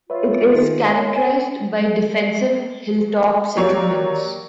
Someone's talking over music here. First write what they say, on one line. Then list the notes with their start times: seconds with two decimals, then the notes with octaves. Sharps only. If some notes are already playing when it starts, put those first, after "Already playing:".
It is characterized by defensive hilltop settlements.
0.10 F4 B4 C#5 E5
0.54 D#3 D#4 G#4
0.86 C#5
1.16 G#5
3.57 F#3 A#3 G4 A#4 C#5 D5